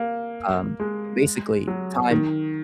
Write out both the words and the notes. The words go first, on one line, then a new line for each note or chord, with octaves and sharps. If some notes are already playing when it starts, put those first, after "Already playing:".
um, but basically, time
Already playing: A#3
G#3
F#3
D#3